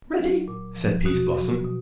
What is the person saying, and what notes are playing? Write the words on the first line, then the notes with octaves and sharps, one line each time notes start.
"Ready," said Peaseblossom.
F#3
A#2
F3
B2 F#4
F#3
B2